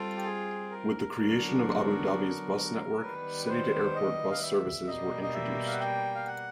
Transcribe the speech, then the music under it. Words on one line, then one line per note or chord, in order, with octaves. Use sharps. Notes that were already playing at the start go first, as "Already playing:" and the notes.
With the creation of Abu Dhabi's bus network, city-to-airport bus services were introduced.
Already playing: G3 C4 F4 A4
G4
G#4
A#4
D3 F#3 B3 D4 F#4
D#3 G3 B3 B4
B4
C5
D#5
F5
E5
B2 G3 A#3 D#5
D#5
E5
F5
F#5
G5
F5
F#5